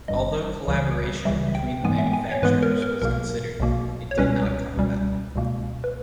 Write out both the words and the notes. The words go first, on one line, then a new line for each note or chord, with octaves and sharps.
Although collaboration between the manufacturers was considered, it did not come about.
G#1 G2 G3 D#5
C#2 C#3 E3 G3
C#2 C#3 E3 G3 E5
E5
G5
G#2 E3 G#3 B3 G#5
E5
G5
G#5
C#5
G#2 E3 G#3 B3 B4
A#4
A#4
B1 B2 A#3 A#4
B1 B2 A#3
C#5
C#2 B2 G3 C#4 B4
C#2 B2 G3 C#4
C#2 B2 A#3
B4